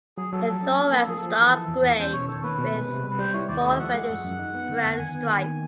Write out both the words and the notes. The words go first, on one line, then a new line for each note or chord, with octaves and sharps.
The thorax is dark gray with four reddish brown stripes.
F#3 G#4
F#3 A4
F3 A4
C#4
A#3
A#3
F3 G#4
A4
F3
G#4
E3 A4
E3
E2
E2
C#4 C5
B2 C#5
D#3 A4
A#3 B4
B2
G#3
C3
G3
B4
G3 C5
E4 C#5
D#2 D5
D#5
A3
E5
F3 F#5
G#3
F#2
F#2
D#4
B3
D3
F2
D#3 G#5
B3
D#3 G#5
A#3